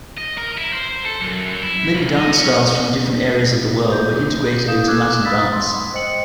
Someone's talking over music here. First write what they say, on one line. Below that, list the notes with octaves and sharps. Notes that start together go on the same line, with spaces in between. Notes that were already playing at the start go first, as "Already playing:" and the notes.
Many dance styles from different areas of the world were integrated into Latin dance.
D#5
A#4
E4
C5
A4
F#2
E4
C2
D#5
C#4
G6
E4 A4 F5 D#6 G6 E7
D6 E6 F#6 G#6
F5 B5 D#6 E6 A6 B6
C6
C5 D#5 G5 C#7 F#7